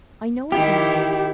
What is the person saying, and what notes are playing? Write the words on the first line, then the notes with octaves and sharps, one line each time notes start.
"I know it, Marian."
D#3 E4 G4